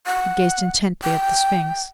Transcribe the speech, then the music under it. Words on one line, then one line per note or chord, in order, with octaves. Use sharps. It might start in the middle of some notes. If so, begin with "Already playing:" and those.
He gazed intently at the sphinx.
F#5
G5